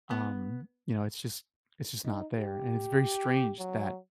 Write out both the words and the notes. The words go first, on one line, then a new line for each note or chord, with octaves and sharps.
um, you know, it's just it's just not there. And it's very strange that
B3
D#4
G4
F#3